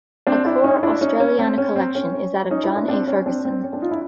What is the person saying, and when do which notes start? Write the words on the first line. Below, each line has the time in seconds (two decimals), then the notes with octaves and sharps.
A core Australiana collection is that of John A. Ferguson.
0.27 C4 D4
0.45 D4 E4
0.64 C#4 D#4
0.83 D4 E4
1.01 C#4 D#4
1.20 C#4
1.39 C4
1.58 C#4
1.76 C4
1.95 C#4
2.51 C#4 D#4
2.64 D4 E4
2.76 D4 E4
2.88 C4 D4
3.07 C#4
3.26 C4 D4
3.45 C4
3.64 C#4
3.73 C4 D4
3.82 D#4 F4
3.91 D4 E4